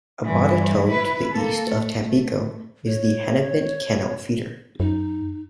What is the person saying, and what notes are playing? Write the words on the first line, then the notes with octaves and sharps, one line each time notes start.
About a to the east of Tampico is the Hennepin Canal feeder.
G2 E3
E4 B4
A#3 A4
A3
C#5
F#2 D#4